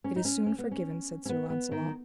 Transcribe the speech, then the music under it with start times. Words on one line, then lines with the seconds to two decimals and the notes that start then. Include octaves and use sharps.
It is soon forgiven, said Sir Launcelot.
0.04 C#4
0.16 D#4
0.25 C#4
0.46 C#4
0.59 B3
0.71 C#4
1.25 C#4
1.29 B3
1.50 B3
1.72 D#3